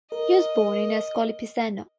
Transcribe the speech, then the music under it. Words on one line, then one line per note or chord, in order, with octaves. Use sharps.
He was born in Ascoli Piceno.
A#4 D#5